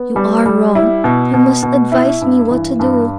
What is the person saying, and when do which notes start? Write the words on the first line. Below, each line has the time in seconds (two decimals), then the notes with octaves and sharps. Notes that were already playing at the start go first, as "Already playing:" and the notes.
"You are wrong; you must advise me what to do."
Already playing: B3
0.16 G3
0.46 G3
0.75 E4
1.04 B2
1.34 B2
1.63 B2
1.92 E4
2.21 G2
2.51 E3
2.79 G2